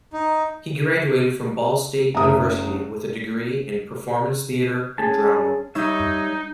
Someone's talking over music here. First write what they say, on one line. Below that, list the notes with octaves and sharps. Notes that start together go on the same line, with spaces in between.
He graduated from Ball State University with a degree in performance theater and drama.
D#4
F#1 A3 A#5 D#6
C#4 G#4 A5
G3 D#4 C#5 E5